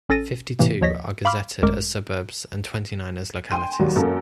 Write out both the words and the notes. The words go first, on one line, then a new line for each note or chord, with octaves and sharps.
Fifty-two are gazetted as suburbs and twenty-nine as localities.
A1 C#4 A4 A6 A#6 D#7
A2 C3 E3 A#3
D#2 F3 C#5 D#5 A#6 B6
F5 B5 C6 D6 F6
G#1 F#2 G#3 A3 A#4 D6
G5 G#5 C6 D#7
D#2 F#3 G3
F#2 A#3 A4